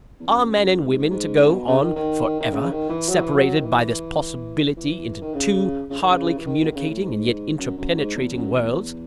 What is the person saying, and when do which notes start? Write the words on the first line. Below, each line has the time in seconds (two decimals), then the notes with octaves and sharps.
Are men and women to go on for ever--separated by this possibility into two hardly communicating and yet interpenetrating worlds?
0.20 E2
0.27 F#2
0.82 G#2
1.10 G#2
1.39 G#2
1.47 C#3
1.53 B2
1.67 C#3
1.81 D#3
1.96 D#3
2.40 D#3
2.52 C#3
2.71 D#3
2.89 E3
3.09 F#3
3.21 E3
3.35 F#3
3.58 D#3
3.64 E3
4.77 E3
5.22 D#3
5.34 C#3
5.90 C#3
5.99 D#3
6.09 C#3
6.37 E3
6.46 D#3
6.61 B2
6.70 D#3
6.75 C#3
6.89 A2
7.02 G#2
7.59 F#2
7.78 F#2
7.97 G#2
8.15 E2
8.34 F#2
8.53 E2